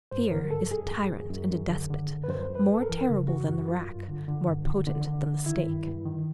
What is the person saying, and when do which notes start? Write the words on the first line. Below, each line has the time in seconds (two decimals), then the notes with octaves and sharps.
Fear is a tyrant and a despot, more terrible than the rack, more potent than the stake.
0.11 G2 C5
0.31 D3 A#4
0.51 G2 A4
0.70 F#2 G#4
0.91 F#2
1.11 F#2
1.30 F#2
1.51 F#2
1.69 D3
1.90 D3
2.10 F#2
2.24 B4
2.29 F#2 C5
2.50 F#2
2.55 B4
2.69 F#2
2.74 A4
2.82 A#4
2.89 E3
3.09 C#3
3.28 F#2 F#4
3.49 F#2 F#4
3.68 F#2 F4
3.88 G2
4.08 D3
4.28 D3
4.48 G2
4.67 D3
4.87 D3
5.07 D3
5.26 D3
5.46 D#3 E4
5.66 G2
5.87 G2
6.06 D#3